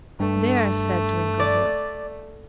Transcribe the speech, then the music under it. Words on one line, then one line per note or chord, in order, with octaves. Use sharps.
"There!" said Twinkleheels.
G2 A3
D5